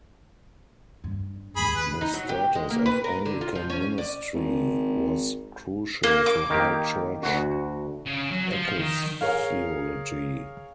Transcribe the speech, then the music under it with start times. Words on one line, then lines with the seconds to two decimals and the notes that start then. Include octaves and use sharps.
The status of Anglican ministry was crucial to high church ecclesiology.
1.04 G2
1.56 D#2 G#2 G#4 B5
1.76 B4
2.01 D#4
2.14 F#3
2.29 G4
2.55 G#3
2.70 A#3
2.86 B4
3.04 A#4
3.25 D3
3.41 F4
3.55 F3
3.70 C#4
3.98 D5
4.35 G#1
6.03 A#3
6.26 D6
6.50 D#3 A#3 G4
7.23 D2 F#4
8.06 C#3
8.31 F#3
8.52 F3
8.79 D#3
9.21 G#4 A#4 C#5 F5